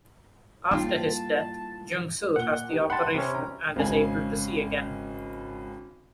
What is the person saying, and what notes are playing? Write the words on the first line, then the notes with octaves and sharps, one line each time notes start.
After his death, Jung-suh has the operation and is able to see again.
A2 G3 A#3 D#4 F4 G5 A5
A#2 F#5 G7
D#4 G4
F#5 G5 A5 B5 C6
C3 C#4
A#5
G#1 C#3 G#5